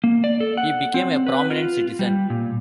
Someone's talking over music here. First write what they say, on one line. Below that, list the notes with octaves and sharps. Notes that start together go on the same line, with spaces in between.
He became a prominent citizen.
A#3
D5
A4
F#5
C4
B4
F4
G3
A#2